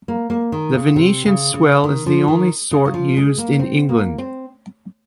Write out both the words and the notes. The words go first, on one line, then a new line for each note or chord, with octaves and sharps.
The Venetian swell is the only sort used in England.
A#3
A#3
D#3
C#3
C3
C#3
C#3
D#3
F3
D#3
C#3
F#3
F3
G#3
A#3
C4
A#3
C4